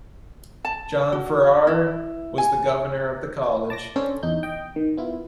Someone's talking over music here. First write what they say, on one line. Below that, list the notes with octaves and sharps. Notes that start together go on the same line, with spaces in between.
John Farrar was the governor of the college.
A5
F#4
E4
G#5
A5 D6 A#6
C#4 D4 A4 C5
E2 D#4 G6
D#5 G5
D#3
B3 E4 F4